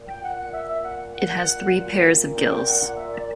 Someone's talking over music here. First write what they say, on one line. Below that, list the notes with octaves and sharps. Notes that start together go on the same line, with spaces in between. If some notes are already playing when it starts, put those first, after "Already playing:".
It has three pairs of gills.
Already playing: A#2
G5
F#5
F#5
E5
E5
F#5
F#5
A#2
G5
G5
F#5
F#5
E5
D5